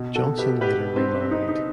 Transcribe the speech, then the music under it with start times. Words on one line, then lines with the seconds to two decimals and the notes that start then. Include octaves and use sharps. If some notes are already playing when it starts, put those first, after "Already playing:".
Johnson later remarried.
Already playing: B2
0.15 F#4 A4
0.38 G4 B4
0.61 G4 B4
0.96 C4
1.20 C4
1.31 D#4
1.48 D#4